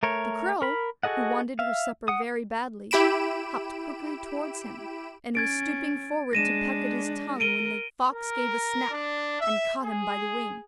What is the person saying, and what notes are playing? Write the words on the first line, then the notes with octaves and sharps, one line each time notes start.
The crow, who wanted her supper very badly, hopped quickly towards him, and was stooping forward to peck at his tongue when the fox gave a snap, and caught him by the wing.
A3 A#4 C#5
A#4 B5
F#4 G#4 A4 D#5 F#5
E5 F5
F#5 D#6
E4 G4 B5 D7 E7
C#4 G#6 A6 D7
G#3 D4 A#6 D#7 E7
A#4 D7 D#7 G7
A#4
D4
E5
G#4